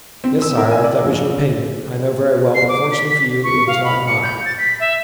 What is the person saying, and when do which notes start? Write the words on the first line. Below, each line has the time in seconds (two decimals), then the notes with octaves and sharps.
"Yes, sire, that was your opinion, I know very well: but, fortunately for you, it was not mine."
0.24 C4
0.42 E6
0.58 A#4
0.71 G#5
0.84 D5
1.05 A#1
2.55 C7
2.69 D6
2.92 B6
3.44 C#6
3.67 F5
3.85 B5
4.06 C#7
4.23 G6
4.45 A6
4.58 B6
4.80 E5